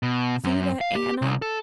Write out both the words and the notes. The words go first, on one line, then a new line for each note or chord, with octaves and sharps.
'See that, Anna?
B2
F#2
F5
G4
C2
A4